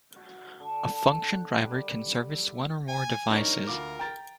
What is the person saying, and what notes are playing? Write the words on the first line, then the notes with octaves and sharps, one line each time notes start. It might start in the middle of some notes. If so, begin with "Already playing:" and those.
A function driver can service one or more devices.
F#4
D3
A5
F#5
G3
E5
G#5
D4 D#4 A#4 C#5
D2 F4 D6
G5 A#5 A6